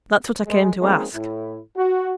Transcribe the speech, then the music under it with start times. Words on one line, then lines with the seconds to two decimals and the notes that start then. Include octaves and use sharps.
That's what I came to ask.'
0.47 G#3
0.81 F3 G#3 A#3 C4 C#4 D#4
1.14 A2 E4
1.77 F#4